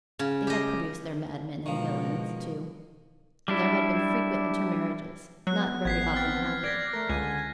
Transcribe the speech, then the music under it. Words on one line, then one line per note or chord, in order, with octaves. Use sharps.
They had produced their madmen and villains, too; and there had been frequent intermarriages--not very often happy.
C#3
G4 D#5
B2 D#3 F3 G#3
G3 D4 E4
F#3 B3 F#6
A1 G#6 B6 C7
C4 F6 A6
D5 G#6 A#6 B6
A3 A#4
C#2 D3 G#5